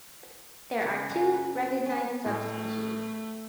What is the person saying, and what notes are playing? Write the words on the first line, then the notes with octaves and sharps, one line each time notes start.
There are two recognized subspecies.
C#3 F#4
F#2 F#3 C#4 A#4 G#5 A#5
B4
C#4 C5
A2 A3